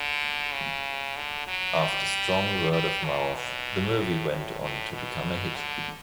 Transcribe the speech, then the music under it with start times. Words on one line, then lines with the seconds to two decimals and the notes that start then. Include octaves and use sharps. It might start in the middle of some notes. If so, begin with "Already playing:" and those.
After strong word-of-mouth, the movie went on to become a hit.
Already playing: D3
0.53 C#3
1.16 D3
1.48 F#3
1.79 G3
2.72 G3
3.05 C#3
3.36 B2
3.98 A2
4.30 A2
4.61 A2
4.93 B2
5.56 D3